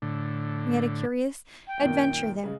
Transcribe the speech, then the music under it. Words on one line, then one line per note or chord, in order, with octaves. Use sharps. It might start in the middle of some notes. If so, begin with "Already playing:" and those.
We had a curious adventure there.
A2 D3
G5
F#2 A#2 D#3
C#3 G#3